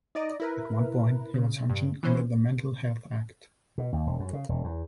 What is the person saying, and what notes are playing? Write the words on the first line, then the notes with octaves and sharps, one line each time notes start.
At one point he was sectioned under the Mental Health Act.
D#4 D5 D#5
E4 A#4 B4
C#3
G2
E3 B3 C#4 C5
B2
D#2
E1
F#2
C#3
E1
E2